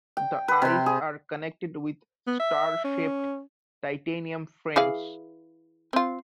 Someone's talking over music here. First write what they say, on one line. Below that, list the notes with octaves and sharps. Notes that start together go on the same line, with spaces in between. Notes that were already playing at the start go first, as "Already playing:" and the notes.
The "eyes" are connected with star shaped titanium frames.
G5
B4
C3 C6
G#4
B3
E5
C#4
E3 G#4 F5
C4 F4